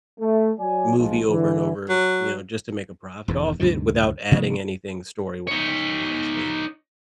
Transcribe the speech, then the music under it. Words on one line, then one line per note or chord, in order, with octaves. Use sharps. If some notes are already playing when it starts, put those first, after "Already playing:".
movie over and over, you know, just to make a profit off it without adding anything story-wise, honestly.
A3
F#3 D5 G#5
B1 F3 G#3
D3 E3
F#3
E1 E2 G#2
D2 G2 C3 D#3
C3 F3 A3 B3
D#4 C#5